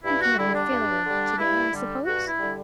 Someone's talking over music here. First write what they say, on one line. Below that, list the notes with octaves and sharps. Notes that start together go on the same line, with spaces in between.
"Thinking of your failure of to-day, I suppose?"
G2 E4
F#4
D3 G3 E4
D4
G2
D3 G3
G2 E4
D3 G3
G2 F#4
E4
D3 G3